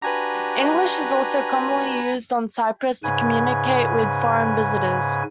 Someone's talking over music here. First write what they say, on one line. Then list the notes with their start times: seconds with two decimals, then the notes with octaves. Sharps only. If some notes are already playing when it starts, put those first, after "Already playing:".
English is also commonly used on Cyprus to communicate with foreign visitors.
0.02 D4 F#4 G4 B4 G#5 A#5
3.03 G#2 C#3 B4 G#5